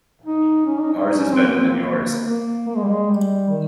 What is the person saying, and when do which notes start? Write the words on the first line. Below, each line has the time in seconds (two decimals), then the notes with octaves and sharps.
Ours is better than yours.
0.26 D#4
0.66 C#4
0.80 D#4
0.93 D#4
1.06 D#4
1.19 C#4
1.33 C4
1.47 A#3
1.59 C4
1.70 A#3
1.88 A#3
2.28 A#3
2.68 A#3
2.76 G#3
2.83 G3
2.90 G#3
3.09 G3
3.49 D#3